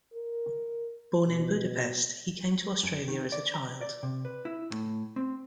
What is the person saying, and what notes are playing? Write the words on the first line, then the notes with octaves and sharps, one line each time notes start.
Born in Budapest, he came to Australia as a child.
A#4
B2
F#2
D#3
D5
A#5
D5
C3
B4
E4
A2
C4